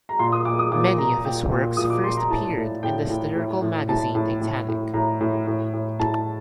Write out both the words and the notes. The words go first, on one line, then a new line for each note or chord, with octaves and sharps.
Many of his works first appeared in the satirical magazine "Titanic".
A#5
A#2 C6
D#6
A#2 D6
D#6
A#2 D6
A#2 A#5
A#2 G5
A#2
A#2 D#6
D6
A#2 C6
A#5
A2 A5
A2
A2 G5
A2
A2
A2
A2 A5
A2
A2
A2
A2 A#5
A2
A2
A2
A2 A5